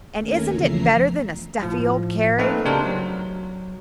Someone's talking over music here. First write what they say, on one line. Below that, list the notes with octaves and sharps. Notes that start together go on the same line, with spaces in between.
"And isn't it better than a stuffy old carriage?"
D#2 A3 C#4 A#4 G#5
E2 C#3 F3 E5 A#5 C7
A2 F3
A3 A#3 C4 D#4 A#4 B4
C#3 D4 G4 A#4 C5
F#3